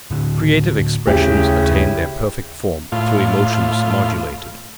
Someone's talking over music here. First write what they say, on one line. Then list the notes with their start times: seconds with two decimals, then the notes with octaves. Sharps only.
Creative expressions attain their perfect form through emotions modulated.
0.11 A2 D3
1.07 D#2 C#3 A3 E4 G4
2.92 A2 F4